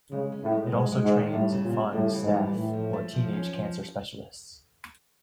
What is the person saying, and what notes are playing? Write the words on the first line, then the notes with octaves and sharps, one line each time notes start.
It also trains and funds staff who are teenage cancer specialists.
C#3 G#3
C#4
A2
G#3
G#2 G#3
G#3
G#2
D#3
A2 G3
C#3
A#2
C#3
A2 G3
E3
G#2
G3
A2 A3
F3
A3
F3
C#4
F3